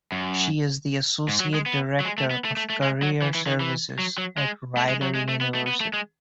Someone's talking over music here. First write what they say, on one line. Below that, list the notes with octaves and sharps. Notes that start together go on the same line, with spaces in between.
She is the Associate Director of Career Services at Rider University.
F#2
G#2
F#3
G#3
B3
F#3
G#3
A3
B3
A3
A3
A3
G#3
F#3
E3
E3
D#3
E3
F#3
F#3
G#3
A3
G#3
F#3
G#3
A3
B3
A3
B3
A3
G#3